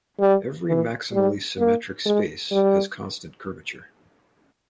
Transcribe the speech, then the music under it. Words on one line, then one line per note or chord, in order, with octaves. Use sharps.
Every maximally symmetric space has constant curvature.
G3
E3
G3
A#3
G#3
G3